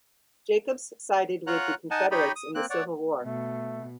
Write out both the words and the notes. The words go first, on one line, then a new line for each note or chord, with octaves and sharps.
Jacobs sided with the Confederates in the Civil War.
F4 C#5 F#5 A#5 F#6
D#4 D#5 F#5 G#5 A5
D#4 G4 C#5 D#5 B5
D#6
A#3 C4 F#6
C#5 D5 F#5
B2 A3